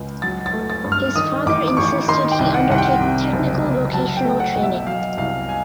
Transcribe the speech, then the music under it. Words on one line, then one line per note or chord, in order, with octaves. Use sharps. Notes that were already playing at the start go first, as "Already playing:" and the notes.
His father insisted he undertake technical vocational training.
Already playing: C#2
F#3 A6
A6
A3
A6
G2
F6
D#3 D#6
A1 D6
D6
A1 C#6
D#3 C6
G5
C2
F#5
C2 F#5
G5
C3
F#1
F#1
F#3 A5
G5
A3
F#5
B1
E5
F#3 F5
C2 F5
G#5